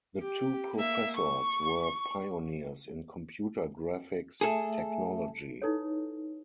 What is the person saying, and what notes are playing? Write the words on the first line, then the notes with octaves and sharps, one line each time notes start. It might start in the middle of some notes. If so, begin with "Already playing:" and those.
The two professors were pioneers in computer graphics technology.
G4
A#3 E5
C#6
A3 G#4 A4 E5 G#5
D#4 E4 A4 B4 C#5